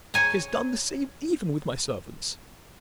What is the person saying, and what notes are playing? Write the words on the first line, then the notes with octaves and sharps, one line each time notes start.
She has done the same even with my servants.
C#5 G#5 A#5